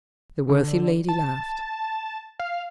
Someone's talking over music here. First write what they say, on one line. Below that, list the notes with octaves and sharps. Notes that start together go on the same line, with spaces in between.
The worthy lady laughed.
D3
A5
F5